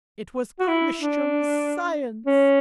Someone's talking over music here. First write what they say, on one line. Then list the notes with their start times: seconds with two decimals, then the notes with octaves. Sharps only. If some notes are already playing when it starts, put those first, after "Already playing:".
It was Christian Science.
0.59 F#4
0.68 E4
1.00 D4
2.26 C#4